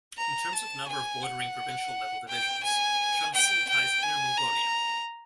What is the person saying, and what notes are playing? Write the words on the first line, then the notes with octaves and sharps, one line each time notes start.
In terms of number of bordering provincial-level divisions, Shaanxi ties Inner Mongolia.
A#5
A5
G#5
F#5
G5
G#5
G5
G5
G#5
A#5